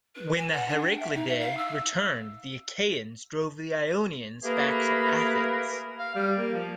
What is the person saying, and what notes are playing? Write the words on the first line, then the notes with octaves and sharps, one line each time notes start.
When the Heracleidae returned the Achaeans drove the Ionians back to Athens.
B4
G#5
F#5
D4
G5
E5
D#4
E5
F5
E6
A3 A#3 G4 G#4 A#4 B4
F5
G3
A#3
F3